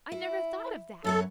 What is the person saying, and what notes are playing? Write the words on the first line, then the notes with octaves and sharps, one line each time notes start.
I never thought of that!
E4
F#2 B3 A4 C#5